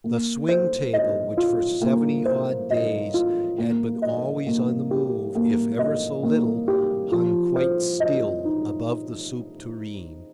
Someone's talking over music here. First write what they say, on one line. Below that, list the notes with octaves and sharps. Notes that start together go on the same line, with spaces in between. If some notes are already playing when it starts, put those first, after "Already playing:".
The swing-table which for seventy odd days had been always on the move, if ever so little, hung quite still above the soup-tureen.
A#3
C5
D#5
F4
A#3
C5
D#5
F4
A#3
D#5
A#3
G4
A#3
D#5
A#3
G4
F3
C5
D#5
D#4